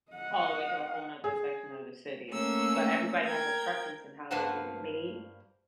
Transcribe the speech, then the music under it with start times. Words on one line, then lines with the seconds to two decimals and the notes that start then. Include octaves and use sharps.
all the way to a whole 'nother section of the city. But, everybody has a preference in how they get it made,
0.12 D#5 F#5
1.24 G#4
2.29 A3 A#3 C#4 E6
3.26 A#4 G5 G#6
4.31 G2 A#3 B4 C5 F#5 A5